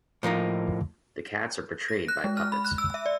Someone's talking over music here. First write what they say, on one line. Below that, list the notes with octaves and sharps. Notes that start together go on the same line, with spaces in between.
The cats are portrayed by puppets.
A2 F3 A#3 D#4
A#6
F#6
G#3
F6
B5
F#6
E6
E5
D5